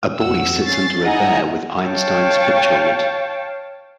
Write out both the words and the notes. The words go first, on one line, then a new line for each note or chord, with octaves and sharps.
A boy sits under a bear with Einstein 's picture on it.
F2 F#4 F#5 E6
C#4 A6 C7
D#4 E4 D#5 F#5 G#5 A#5
C#5 F5 G5 A5 C#6